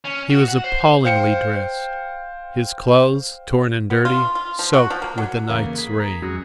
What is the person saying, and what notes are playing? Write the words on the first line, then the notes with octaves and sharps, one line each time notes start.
He was appallingly dressed: his clothes torn and dirty, soaked with a night's rain.
C#4
F#4
F#5
C5
C5 F5 G5 C#7
B3
F4
F4
F3
F#4
F3
A#3
F#3
E2 C#3 A#3
G#4 B5
A#5
F#2 G#3 F#4 G#4